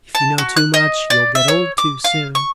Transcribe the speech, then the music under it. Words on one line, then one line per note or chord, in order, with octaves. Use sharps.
"If you know too much, you'll get old too soon."
A5
F#4
F#6
D#5
D5
E5
C#5
D6
F5
C#6